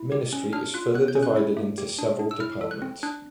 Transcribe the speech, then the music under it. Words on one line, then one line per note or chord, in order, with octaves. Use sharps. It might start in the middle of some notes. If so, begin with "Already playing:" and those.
Ministry is further divided into several departments.
Already playing: E4
G4
C#4
D4 F6
F4 F#6
B3 F#6
G6
C#4
F#6
E4
A3
G4
D4
D4
E6
E4 F6
A4
F#6
C4
D4 F#6